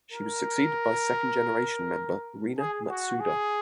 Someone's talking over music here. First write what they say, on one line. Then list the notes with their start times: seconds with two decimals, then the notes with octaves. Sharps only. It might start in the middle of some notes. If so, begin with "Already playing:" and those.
She was succeeded by second generation member Rina Matsuda.
0.12 A#4
2.57 G#4
2.89 F#4
3.20 G#4